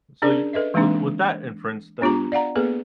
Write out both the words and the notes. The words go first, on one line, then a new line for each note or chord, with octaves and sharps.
so you with with that inference, then
C#4 D4 G#4 A#4 D5
A4 B4 D#5 E5
E3 G#3 A#3 C4 D4 D#4
B3 D4 F4 G4 A#5
D5 F5 F#5 A#5
A#3 B3 G#4 A4 B4